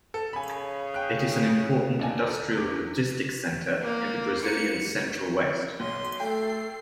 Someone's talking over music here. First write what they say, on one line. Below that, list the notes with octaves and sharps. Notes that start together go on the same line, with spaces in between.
It is an important industrial and logistics center in the Brazilian Central-West.
A4
C#3 G#5 B5
G5 F#6
D#2 D4 G#5
A4
E2 D6
A#3
C#7
B1 C6
A3 A4 G5 C7